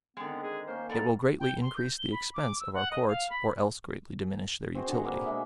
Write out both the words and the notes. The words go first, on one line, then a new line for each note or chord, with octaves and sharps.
It will greatly increase the expense of our courts or else greatly diminish their utility.
D3 D#3 G#3 B3 C4
G#4
A#3 C#4 C5
B3 A4 D5 A#5
G5
C6
G6
G7
B5
D6
E6
F#5
D#5
F5
B5
C4 F#4 G#4 C5
D3 D#5 F#5
A#3 B4
B2 G#3 E5